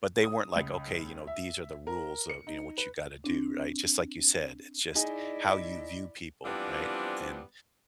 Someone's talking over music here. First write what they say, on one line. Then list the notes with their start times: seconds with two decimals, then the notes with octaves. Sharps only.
but they weren't like, "Okay, you know, these are the rules of, you know, what you gotta do." Right? Just like you said, it's just how you view people, right? And,
0.24 D#6
0.56 C#2
1.27 E5
1.87 A#4
2.29 C#7
2.47 D#4
2.78 B4
3.24 C4 D4
4.95 D#4 E4 G#4 D5 D#5 G#5
6.44 E3 F3 G3 B3 C4 D4